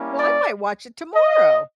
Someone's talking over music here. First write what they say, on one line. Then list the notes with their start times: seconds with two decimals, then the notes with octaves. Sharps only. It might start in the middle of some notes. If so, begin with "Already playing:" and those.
Well, I might watch it tomorrow.
Already playing: G3 A#3 C#4 E4
0.18 D5
1.15 D#5